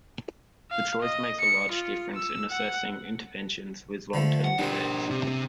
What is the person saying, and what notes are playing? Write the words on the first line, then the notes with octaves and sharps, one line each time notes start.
The choice makes a large difference in assessing interventions with long-term effects.
F5
D#5
C#7
F4
E6
F#5
D3 F3 A3
F#5
G3 C4 D4 A#4
C3